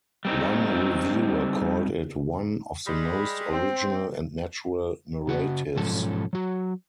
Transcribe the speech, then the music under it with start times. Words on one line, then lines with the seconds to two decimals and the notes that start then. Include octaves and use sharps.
One reviewer called it "one of the most original and natural narratives".
0.25 G3 C4 D#4
2.87 G3 G#3 B5
3.50 C4 C5
5.28 C#3 F#4 F#5
5.76 B1 G#2 F3 C#4 A4 A5
6.33 F#3 F#4